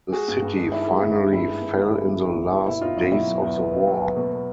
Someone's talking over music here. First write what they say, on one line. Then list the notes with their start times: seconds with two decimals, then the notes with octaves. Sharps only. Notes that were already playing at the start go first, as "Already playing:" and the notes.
The city finally fell in the last days of the war.
0.12 G#3 F#4 G#4
0.28 G2
0.42 G2
0.57 G#3
0.72 D#3 E4
0.87 G#3
1.02 G2
1.17 D#3
1.33 G2 E4
1.48 G#3
1.62 G2
1.77 G2
1.92 G#3 E4
2.08 G2
2.22 D#3
2.37 G2
2.52 B3 E4
2.66 B2 E4
2.81 E2 D#4 F4
2.97 F#3 D#4
3.11 B2 E4
3.27 F#3
3.42 E2
3.57 B3
3.71 B3
3.87 F#3
4.01 B3
4.17 B2
4.32 B2